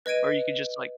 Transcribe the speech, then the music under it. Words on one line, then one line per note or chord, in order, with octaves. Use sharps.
Or you could just, like,
B4 D#5 G#6 D7 D#7